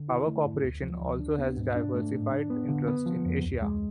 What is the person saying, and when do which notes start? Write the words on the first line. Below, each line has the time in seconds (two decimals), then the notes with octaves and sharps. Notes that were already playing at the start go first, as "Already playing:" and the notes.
Power Corporation also has diversified interests in Asia.
Already playing: D3
0.09 E4
0.27 A3
0.45 G#2
0.64 D2
0.83 F3
1.01 D2
1.20 D4
1.38 B3
1.57 G#2
1.76 D4
1.94 A3
2.13 A2
2.32 D4
2.50 B3
2.69 D3
2.88 B3
3.06 F3
3.25 F2
3.43 D2
3.62 G#3